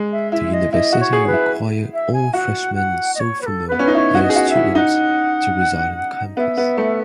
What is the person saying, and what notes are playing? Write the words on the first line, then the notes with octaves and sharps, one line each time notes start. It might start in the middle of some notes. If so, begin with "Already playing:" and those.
The university requires all freshman- and sophomore-year students to reside on campus.
Already playing: G#3
E5
E4 E5
D#5
E4 D#5
F#4
C#5
G#4
B4
E4
E5
G#5
F#4 F#5
F#5
D#5
C#5
B4
A4
B3 B4
C#4
D#4
E4 C#5
F#4
D#5
G#4
F#4
E5
E4
D#4 F#5
B3 E5
B3
A3